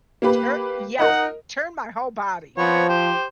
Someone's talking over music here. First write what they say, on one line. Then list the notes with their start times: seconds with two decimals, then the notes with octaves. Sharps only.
tur yes. Turn my whole body.
0.22 A#3 G4 B4
0.99 D#4 A#4 D#5 F#5
2.58 F3 B3 C4 C#5
2.89 G4 C5